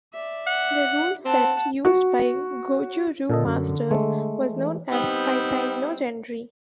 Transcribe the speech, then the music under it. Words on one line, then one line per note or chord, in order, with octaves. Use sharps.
The rule set used by Gōjū-ryū masters was known as Kaisai no genri.
D5 E5
F#5
C4 F#5 A5
F#4
A#2 D3 A4 D#5
F#2
G#3 A3
E3
G3 B3 C4 D#4